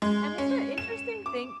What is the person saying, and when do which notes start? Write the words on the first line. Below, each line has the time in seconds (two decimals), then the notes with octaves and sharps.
and it's an interesting thing
0.02 G#3
0.38 C#4
0.78 E7
1.26 D6